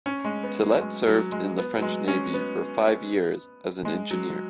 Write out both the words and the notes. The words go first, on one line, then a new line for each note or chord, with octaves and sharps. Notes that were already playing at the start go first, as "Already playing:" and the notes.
Tillet served in the French Navy for five years as an engineer.
C#4
G#3
B3
F#3
G#3
F#3
G#3
B3
F#3
G#3
C#4
B3
G#3
F#3